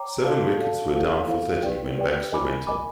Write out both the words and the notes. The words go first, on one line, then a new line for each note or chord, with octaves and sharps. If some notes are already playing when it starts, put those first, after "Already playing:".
Seven wickets were down for thirty when Baxter went in.
Already playing: C#5 G5 A#5 D6
F#4 A4 D5 F5 A5
F#4 A4 D5 F5 A5
E4 A4 C5 F5
E4 A4 C5 F5
G4 B4 D5 G5
G4 B4 D5 G5
A#4 D#5 G#5 B5 D6
A#4 D#5 G#5 B5 D6